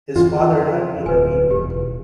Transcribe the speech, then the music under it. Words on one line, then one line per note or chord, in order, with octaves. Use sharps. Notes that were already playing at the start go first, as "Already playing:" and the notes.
His father had been a weaver.
F2 E3 F4
D1 B4 G#5
E1 G4